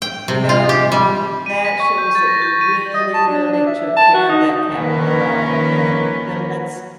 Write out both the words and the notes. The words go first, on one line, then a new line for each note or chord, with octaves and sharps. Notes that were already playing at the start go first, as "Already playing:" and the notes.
you know, that shows that you really, really took care of that cat well, and, you know, that's
G5
C3
F4
G4
G3
D#7
B6
C#6
G6
A6
A#6
G6
D#7
D#5
A5
D4
D4
E5
A5
F#4
D#4
D#3 F3 A#3 C#4 A#4 B4